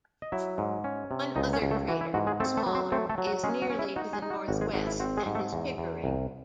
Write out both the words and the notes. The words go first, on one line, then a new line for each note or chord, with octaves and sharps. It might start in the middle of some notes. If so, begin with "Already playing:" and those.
One other crater, smaller is nearly to the northwest and is Pickering.
D#5
F#3 E4 E5
G#2
C#4
C3
C#2 D#4 D#5
C#4 C#5
C#2
A3 A4
E3 F#4
E4
G#2 F#4
G#3 G#4
A3 C4 A4
A3 A4
F#3
C4 C5
A3 C4 C5
A3 A4
F#3
F#4
G#3 C#4 G#4
F#4
C#4
E4
D#4 F#4
G#3 G#4
D#4
F#4
G#1 F#4
G#3 G#4
G#1 F#4
E4
C4 F#4
G#3 G#4
G#2
A3 A4
E2
E2
C2